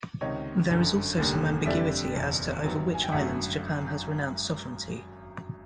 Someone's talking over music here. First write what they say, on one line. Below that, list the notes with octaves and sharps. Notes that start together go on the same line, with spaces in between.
There is also some ambiguity as to over which islands Japan has renounced sovereignty.
C#2 C3 D#3 C#5 D#5
G1 F#2 D3
F1 D#2 D3 G3 A#3
F2 D3 G3 D5 E5
F#1 E2 B2
G2 D#3 F#3 B3
G#5
G5
G#1 F#2 D3 F#3 A3 E5 F#5